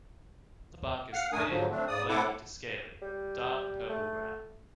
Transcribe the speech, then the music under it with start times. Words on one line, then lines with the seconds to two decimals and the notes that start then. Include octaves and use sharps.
The bark is thin and flaky to scaly, dark purple-brown.
1.13 F5 F#5 F6
1.32 A3 D4 A#4 G#5 D#6
1.49 G#2 D3 F3 F#3
1.71 A3 C4 D4
1.88 G#2 C#3 D5 D#6
2.08 A2 C4 E4 A4 F#5 D6
3.02 G3
3.89 A3